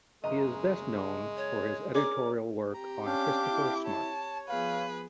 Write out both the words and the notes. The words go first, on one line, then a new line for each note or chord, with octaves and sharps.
He is best known for his editorial work on Christopher Smart.
F#1 G#3 D#5 A#5
C#5
C#4 G#4 A#4 D5 D6
C4 G4 A#5
C#4 D4 F5 G5 D6
E4
C#5 A5
F3 B3 G#4 B4 F5